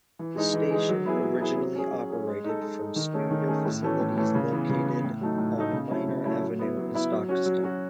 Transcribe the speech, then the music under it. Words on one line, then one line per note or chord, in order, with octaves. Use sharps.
The station originally operated from studio facilities located on Miner Avenue in Stockton.
E3
G#3 D#4 G#4
E3
G#3 D#4 G#4
F#3
B3 E4 G#4
F#3
B3 E4 G#4
F#3
C#4 G#4
F#3
C#4 G#4
G#3
D#4 A4
G#3
D#4 A4
D#3
A3 C#4 G#4
D#3
A3 C#4 G#4
A2
E3 A3 C#4
A2
E3 A3 C#4
C#3
E3 B3
C#3
E3 B3
A2
F#3 A3 D#4
A2
F#3 A3 D#4
C#3
F#3 A3 C#4 E4
C#3
F#3 A3 C#4 E4
F#3
B3 E4
F#3
B3 E4
F#3
C#4 F#4
F#3
C#4 F#4